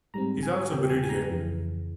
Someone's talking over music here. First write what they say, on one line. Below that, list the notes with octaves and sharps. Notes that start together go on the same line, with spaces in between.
He is also buried here.
G#2 G3 C4 A#5
G#5
E2 C#3 G3 G5
G5
G#5
G#5
A#5
F2 C#3 E3